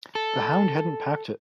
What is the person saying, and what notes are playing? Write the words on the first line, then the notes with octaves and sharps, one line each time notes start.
The hound hadn't packed it.
A4